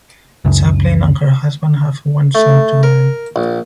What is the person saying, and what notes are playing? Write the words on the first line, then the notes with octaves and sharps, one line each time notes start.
Chaplin and her husband have one son together.
C#2 F#2 C#3
A3
A#4
A#1